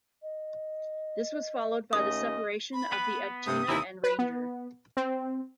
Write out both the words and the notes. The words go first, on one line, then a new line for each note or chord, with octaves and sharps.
This was followed by the separation of the Agena and Ranger.
D#5
D#2 A3 C#4 D#5 D#6
B5
B3 B4
G2 C3 D#6
D#2 C3 E3 E4
B4
B3
C4